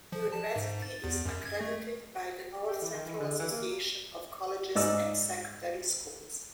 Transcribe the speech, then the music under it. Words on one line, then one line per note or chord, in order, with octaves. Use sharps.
The university is accredited by the North Central Association of Colleges and Secondary Schools.
F3
A5
G#2
A6
E2
F#2
G#6
A3
G4
E3
D#3
E3
D3
E3
A#3
G#2 D#4 D5 E6